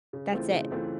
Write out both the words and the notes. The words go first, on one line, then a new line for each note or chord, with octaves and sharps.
that's it.
C#3
E3 A3 C4 F4
C#3
E3 A3 C4 F4